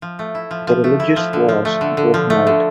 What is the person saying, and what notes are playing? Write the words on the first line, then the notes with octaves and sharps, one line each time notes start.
The religious wars drove him out.
F3
A3
E4
F3
F3
A3
E4
F3
D3
F3
A3
D3
D3
F3
A3
D3